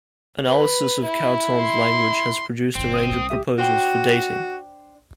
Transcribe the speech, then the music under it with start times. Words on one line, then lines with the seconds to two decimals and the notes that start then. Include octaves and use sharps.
Analysis of Chariton's language has produced a range of proposals for dating.
0.46 B4
1.05 E4
1.64 C6
2.75 G1 G2 C4
2.94 D#6
3.12 C2 C3
3.30 G4 E5
3.58 D4 F#4 C5 G5